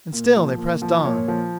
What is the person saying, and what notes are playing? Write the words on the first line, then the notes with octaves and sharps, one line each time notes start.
And still they pressed on.
A#2
F3
A#2
F3
A#2 C#5
F3